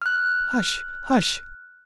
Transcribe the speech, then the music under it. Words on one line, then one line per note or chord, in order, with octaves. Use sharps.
'Hush! hush!
F6 F#6